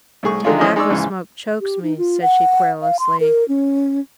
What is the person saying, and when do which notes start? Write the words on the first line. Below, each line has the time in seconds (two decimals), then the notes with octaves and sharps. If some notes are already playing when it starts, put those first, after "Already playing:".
'Tobacco-smoke chokes me!' said she, querulously.
0.23 C2 A2 G#4 C#6
0.44 D#3 F#3 G#3 A3 D4 F4
0.61 F3 C#4 E4 D#5
0.76 G#3 D#4 D5 C#6 E6
0.89 A#1 G#2 C#3 E3
1.60 G4
1.83 D#4
1.98 F4
2.22 F#5
2.82 F5
2.99 C6
3.20 A#4
3.48 C#4